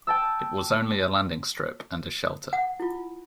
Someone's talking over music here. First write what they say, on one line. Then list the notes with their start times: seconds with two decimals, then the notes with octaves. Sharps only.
It was only a landing strip and a shelter.
0.07 G5 A5 E6
2.53 F#5
2.80 E4 F4